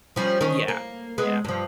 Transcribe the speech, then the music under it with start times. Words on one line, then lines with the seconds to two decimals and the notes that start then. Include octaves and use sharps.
Yeah, yeah.
0.16 F3 G3 C#4
0.41 D#3 C#4
0.68 A#3
1.18 G#3 B3
1.45 G2 F3